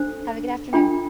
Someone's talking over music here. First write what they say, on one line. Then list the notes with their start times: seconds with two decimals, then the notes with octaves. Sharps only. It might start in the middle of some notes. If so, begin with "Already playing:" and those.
Have a good afternoon.
Already playing: D4 A4 C5
0.73 D4 F4 A4 G5